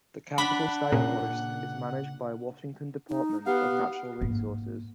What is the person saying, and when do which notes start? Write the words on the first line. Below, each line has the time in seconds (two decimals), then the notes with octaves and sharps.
The Capitol State Forest is managed by Washington Department of Natural Resources.
0.38 D4 F#5 B5
0.92 A#2 C#3
3.09 D#4
3.46 B3 G4 F5 F#5
4.21 G#2 A#3